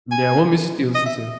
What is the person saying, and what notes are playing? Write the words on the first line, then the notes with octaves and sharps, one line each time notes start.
Yeah, what music do you listen to?
G#5
D#5
E5